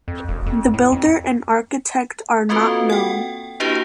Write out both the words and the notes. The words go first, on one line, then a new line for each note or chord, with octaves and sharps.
The builder and architect are not known.
F2
E1
F2
A2
F2
A#3 C4 F4 F#4 A4 B4
F#5 G5
A#3 D4 E4 F#4 G4 B4